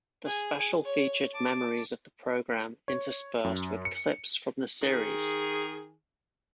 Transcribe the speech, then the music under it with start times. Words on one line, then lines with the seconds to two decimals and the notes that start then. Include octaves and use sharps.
The special featured memories of the program interspersed with clips from the series.
0.25 G#4 G#5
0.84 C#5
1.33 A5 D6
2.88 C#5
3.44 F#2
3.85 C#7
4.82 D#3 G#4